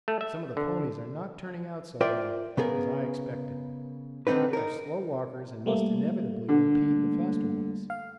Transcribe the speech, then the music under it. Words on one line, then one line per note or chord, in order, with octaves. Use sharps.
Some of the ponies are not turning out so well as I expected; they are slow walkers and must inevitably impede the faster ones.
A3
E5
D3
F4 A#4 C5 D5 E5 G5
C#3 B3 G#4 A#4
D3 D#3 A3 C4 D#4 B4
D#4 A#4
G3 A3 A#3
D3
F5